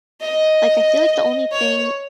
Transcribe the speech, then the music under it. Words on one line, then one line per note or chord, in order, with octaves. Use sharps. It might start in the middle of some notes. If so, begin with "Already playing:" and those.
Like I feel like the only thing
D#5
C#5